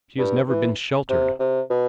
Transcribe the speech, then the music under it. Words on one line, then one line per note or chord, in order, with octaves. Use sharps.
She has never been sheltered.
G2
E3
C3
C3
B2